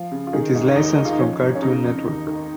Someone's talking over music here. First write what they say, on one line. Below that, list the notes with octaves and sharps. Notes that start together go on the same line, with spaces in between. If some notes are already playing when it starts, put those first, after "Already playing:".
It is licensed from Cartoon Network.
Already playing: F3 F4
C#3
F4
D#3 G#4
G#2
D#2 D#4
D#3
F4
D#4
F3 C#4
G#2
C#4
C#3 D#4
F2
D#2
D#3